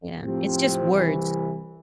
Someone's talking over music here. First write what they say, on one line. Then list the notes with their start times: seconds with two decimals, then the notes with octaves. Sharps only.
Yeah. It's just words.
0.21 A2 F3 C4 G4
0.91 C2 C3 E3